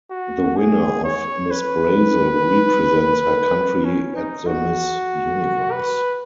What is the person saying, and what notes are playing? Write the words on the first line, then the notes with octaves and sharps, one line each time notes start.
The winner of Miss Brasil represents her country at the Miss Universe.
F#4
G#4
C#5
B4
C#4
D#4
F#4
B4